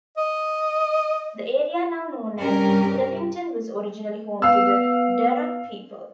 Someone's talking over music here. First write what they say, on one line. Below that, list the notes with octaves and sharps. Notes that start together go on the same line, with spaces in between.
The area now known as Leppington was originally home to the Darug people.
D#5
G2 C3 G3 C#4 G4 A#4
B3 F5 E6